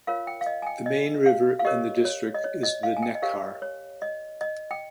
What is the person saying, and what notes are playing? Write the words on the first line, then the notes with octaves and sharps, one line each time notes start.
The main river in the district is the Neckar.
F4 A#4 C#5 F5
G5
F5
D#5
G#5
G5
D#5
F5
F5
G4 A#4 C#5 D#5
C#5
D#5
C#5
D#5
F5
G#5
G5
D#5
G4 A#4 C#5 F5
C#5
D#5
D#5
G5